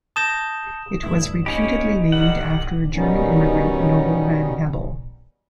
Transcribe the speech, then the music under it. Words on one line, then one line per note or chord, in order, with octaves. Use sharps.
It was reputedly named after a German immigrant Noble Van Hebel.
A5 D#6 G6 A#6 E7
D2 G2 E4
A#3 C#4 D#4 G4 B5
D3 D#3 G3 F#5
D#3 F#3 G3 B3 C#4 D#4